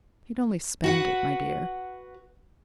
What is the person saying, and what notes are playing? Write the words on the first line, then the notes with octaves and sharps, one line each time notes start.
"He'd only spend it, my dear."
F#4 B4 F#5